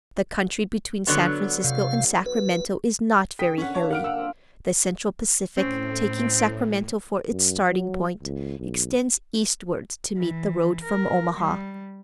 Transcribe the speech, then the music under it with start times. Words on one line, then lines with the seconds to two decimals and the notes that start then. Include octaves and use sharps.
The country between San Francisco and Sacramento is not very hilly. The Central Pacific, taking Sacramento for its starting-point, extends eastward to meet the road from Omaha.
1.07 D3 F#3 B3
1.64 C3 F5
2.26 B4
3.39 D3 G5 D#6 B6
3.58 C#4 F#5
3.75 A#3 C#5 A5
3.90 F#2 F5 F#5 F6 D7
4.04 D4 F#5 A#5 E6
4.18 C4 D4 F4
5.57 A2 C4 C#4
7.31 F#2
7.70 F#3
8.22 C#2
8.59 B1
10.16 E3
10.83 A#4
11.37 G3